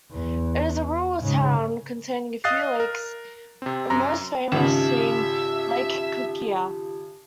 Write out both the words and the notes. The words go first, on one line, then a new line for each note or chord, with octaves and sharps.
It is a rural town containing a few lakes, most famous being lake Kukkia.
E2
G#2 C#3
D#5 F5 D#6 F#6 A6 C7
A#4
C3 C4
F#2 A#5
G#1 C#3 F4 G4 E5 A5